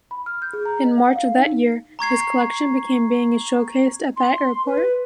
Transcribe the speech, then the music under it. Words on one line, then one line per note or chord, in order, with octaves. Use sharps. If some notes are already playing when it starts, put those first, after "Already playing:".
In March of that year, his collection began being showcased at that airport.
B5
F6
G6
G#4
A#5
D#5
F#5
F5
D#4
A#5 C#6 G#6 C7
C6
B4